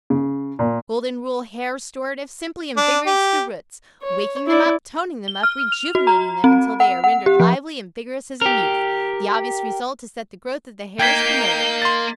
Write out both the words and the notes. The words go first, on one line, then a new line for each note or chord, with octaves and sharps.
Golden Rule Hair Restorative simply invigorates the roots--waking them up--toning them up--rejuvenating them until they are rendered lively and vigorous as in youth, The obvious result is that the growth of the hair is promoted.
C#3
A#2
D4
G4
C#5
E4 D5
G7
F6
F7
F#4
A#5
C4
F#5
F#5
G4
F3
G4 A#4
A#3 D#4 G5 G6 G#6 B6
C6 A6